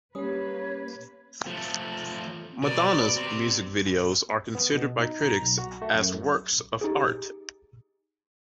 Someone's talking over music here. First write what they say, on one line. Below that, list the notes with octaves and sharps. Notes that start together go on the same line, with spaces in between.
Madonna's music videos are considered by critics as works of art.
G3 A#3 C#4 G4 B4 C#5 D#6
F3 A3
B2 A#4 D5
C4 G4
B3
B2
D#4
A#5
B1
F#4
A3
F#2
D#4 G4 G#4